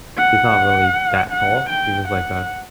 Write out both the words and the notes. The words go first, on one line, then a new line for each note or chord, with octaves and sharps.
he's not really that tall. He was like a
F#5
F#5
G5
F#5